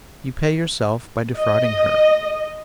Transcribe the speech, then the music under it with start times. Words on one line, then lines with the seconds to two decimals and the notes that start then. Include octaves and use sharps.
'You pay yourself by defrauding her.
1.38 D#5